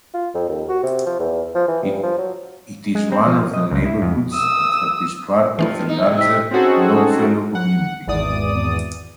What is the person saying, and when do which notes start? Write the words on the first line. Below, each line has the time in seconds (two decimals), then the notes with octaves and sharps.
It is one of the neighborhoods that is part of the larger Longfellow community.
0.14 F4
0.35 F2
0.49 D#2
0.69 F#4
0.83 C3
1.06 F3
1.19 E2
1.55 F3
1.68 E3
1.83 G2
2.03 F3
2.18 F#3
2.95 G#3
3.12 C4
3.27 F3
3.53 D#5
3.71 C#2
3.86 E4
4.02 F2
4.33 D#6 E6
5.59 G2 E3 F3 A3 E4
5.89 D#4
6.03 G#2 C3
6.18 E6 B6
6.51 C4 C#4 D#4 F#4 G#4 A4
7.55 F#5
8.07 G#1 E2 D5 D#6